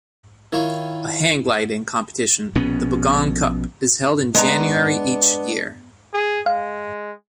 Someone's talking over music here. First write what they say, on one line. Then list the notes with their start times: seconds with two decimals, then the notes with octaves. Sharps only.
A hang gliding competition, the Bogong Cup, is held in January each year.
0.52 D#3 E4 F4 C#5
2.55 A#1 B2 B3 C#4
4.35 G#3 B3 D4 A#5
6.14 G#4
6.46 G#3 F5